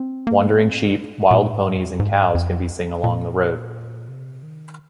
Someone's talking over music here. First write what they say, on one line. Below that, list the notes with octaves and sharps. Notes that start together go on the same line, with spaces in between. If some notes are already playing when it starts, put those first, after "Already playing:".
Wandering sheep, wild ponies and cows can be seen along the road.
Already playing: C4
A#3
C4
A#2
G#2
F2
G#2
F2
A#2
C3
D#3